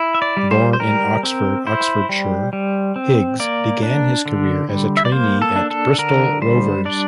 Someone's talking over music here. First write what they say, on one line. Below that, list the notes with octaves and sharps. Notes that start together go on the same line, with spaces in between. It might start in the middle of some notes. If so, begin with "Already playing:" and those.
Born in Oxford, Oxfordshire, Higgs began his career as a trainee at Bristol Rovers.
Already playing: E4
E5
D5
G3
C5
C5
G3 A#4
C4
E4 C5
G3
G3
C4
A#3 D5
D4
D3
G3
E5
D5
A#3 C5
A4
D4
A4
D3 A#4
G3 C5
D4 D5